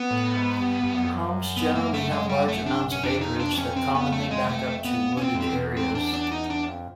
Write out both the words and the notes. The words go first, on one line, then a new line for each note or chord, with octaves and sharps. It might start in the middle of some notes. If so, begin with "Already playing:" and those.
Homes generally have large amounts of acreage that commonly back up to wooded areas.
Already playing: B3
A2
G#2
G2
G2
F#2
F2
F#2
B3
A#3
A3
G#3
G3
A3
D4
C#4
F2 D4
D#4
D4
C#4
C4
B3
A3
G#3
A3
B3
C#4
E2 C4
F2
C4
E2
C4
D4
D4
D#4
D4
F2